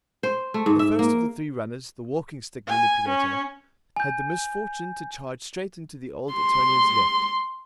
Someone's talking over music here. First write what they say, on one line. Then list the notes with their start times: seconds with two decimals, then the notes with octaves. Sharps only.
The first of the three runners, the walking-stick manipulator, had the misfortune to charge straight into the old Etonian's left.
0.23 C5
0.54 A3
0.66 G#2
0.79 E5
0.99 A#3
2.67 G#5
3.08 C#4
3.96 G#5 G6
6.34 C6